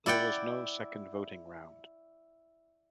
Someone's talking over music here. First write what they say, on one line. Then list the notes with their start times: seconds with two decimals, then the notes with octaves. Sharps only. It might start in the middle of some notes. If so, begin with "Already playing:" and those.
There was no second voting round.
0.06 E4 D5 F#5 G5